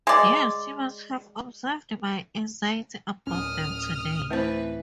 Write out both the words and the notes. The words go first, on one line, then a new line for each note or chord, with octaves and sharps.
Yes; you must have observed my anxiety about them today.
G#3 D5
D1 C#4 D#6 F6
E3 A3 C4 B4 C5